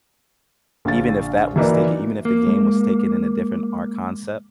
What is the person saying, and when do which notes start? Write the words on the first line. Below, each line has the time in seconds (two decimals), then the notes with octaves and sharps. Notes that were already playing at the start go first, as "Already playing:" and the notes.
even if that was taken even if the game was taken in a different art concept,
0.85 A#1 D3 F5 A6
1.56 E3 F#3 A#3 D#4 B4 D5
2.25 A#3
2.47 G#3